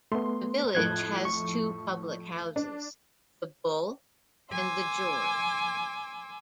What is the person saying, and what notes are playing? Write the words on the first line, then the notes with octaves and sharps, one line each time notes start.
The village has two public houses - The Bull and The George.
A3 B3 C6
F2 A2 F3 F#6 G#6
C#6
D4
G#5 C6 D6 E6